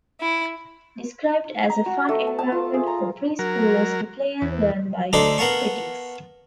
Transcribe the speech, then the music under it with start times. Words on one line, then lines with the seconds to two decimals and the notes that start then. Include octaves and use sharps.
Described as a 'fun environment for pre-schoolers to play and learn' by critics.
0.20 E4
1.70 A#5
1.86 F#4
2.09 A3
2.27 A5
2.39 A5
2.52 F4
2.74 G#4
2.87 A#5
2.99 F5
3.39 F#3 A#4
4.42 E2
5.13 D2 D4 D#4 A4 C5 D6
5.38 B3 A#4 F5 A5 C#6